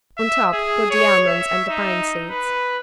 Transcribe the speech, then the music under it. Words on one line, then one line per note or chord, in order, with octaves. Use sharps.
On top put the almonds and the pine-seeds.
E5
G#4
C#5
E5
D#4
B4